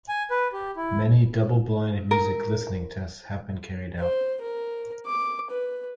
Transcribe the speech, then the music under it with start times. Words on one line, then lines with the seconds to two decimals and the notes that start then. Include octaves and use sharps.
Many double-blind music listening tests have been carried out.
0.09 G#5
0.30 B4
0.53 G4
0.76 E4
2.11 A#4
4.00 C5
4.42 A#4
5.06 D6
5.51 B4